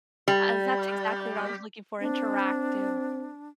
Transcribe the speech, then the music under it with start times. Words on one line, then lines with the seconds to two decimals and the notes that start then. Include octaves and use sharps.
Uh, that's exactly what I was looking for, interactive
0.28 G3
2.01 C4 D4